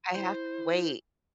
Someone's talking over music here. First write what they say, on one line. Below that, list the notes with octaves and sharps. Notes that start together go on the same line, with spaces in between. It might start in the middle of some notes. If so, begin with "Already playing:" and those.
"I have to wait
E4 C5